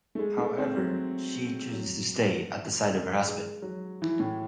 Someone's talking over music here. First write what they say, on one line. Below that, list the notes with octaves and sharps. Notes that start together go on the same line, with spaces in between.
However, she chooses to stay at the side of her husband.
A3
G#3
A3
C4
F#3
F#3
G#3
F#3
E3
A2